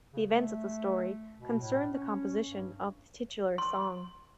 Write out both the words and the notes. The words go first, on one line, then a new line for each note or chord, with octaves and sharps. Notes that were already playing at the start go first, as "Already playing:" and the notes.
The events of the story concern the composition of the titular song.
C#3
A3
B2
A2
C#4
G2
C6